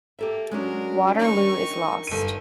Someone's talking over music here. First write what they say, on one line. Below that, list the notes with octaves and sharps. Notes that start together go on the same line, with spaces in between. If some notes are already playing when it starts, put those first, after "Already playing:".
Waterloo is lost.
A#3 G4 A4 E5
F#3 G#3 C#4 D4 A#4
D#3 D#4 C#6
G1 D#7